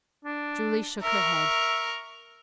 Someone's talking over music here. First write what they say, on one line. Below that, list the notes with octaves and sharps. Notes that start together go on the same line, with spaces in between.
Julie shook her head.
D4
A#4 E5 C#6